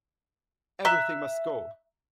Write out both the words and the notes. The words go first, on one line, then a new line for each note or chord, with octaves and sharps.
Everything Must Go!!!
E5 A#5 F#6